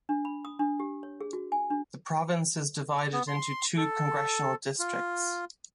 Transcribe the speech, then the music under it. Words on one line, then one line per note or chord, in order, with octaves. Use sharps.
The province is divided into two congressional districts.
D4
B5
D#6
D4
G4
C#5
G#4
F#4
G#5
D4
B3
C6
A4
F4